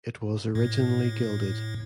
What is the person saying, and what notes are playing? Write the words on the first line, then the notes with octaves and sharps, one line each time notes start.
It was originally gilded.
A2